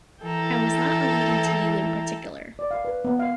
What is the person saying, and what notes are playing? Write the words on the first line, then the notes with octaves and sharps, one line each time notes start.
I was not alluding to you in particular.
E3 E4 A4 G5 A#5
D5
F5
B4
B3
F5